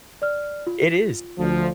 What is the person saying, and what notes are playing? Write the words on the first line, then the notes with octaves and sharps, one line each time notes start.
It is.
D5 F6
F4
D2 F3